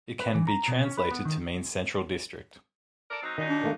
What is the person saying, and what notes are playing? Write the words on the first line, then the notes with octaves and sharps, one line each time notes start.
It can be translated to mean central district.
B4
E3
A#5
B2
C#4
B4
B3
D#3
A4 A#4 D5
F#3 C4 D#4
F#2 A#2 D#3 D#4
D4
D#3 A3 A#3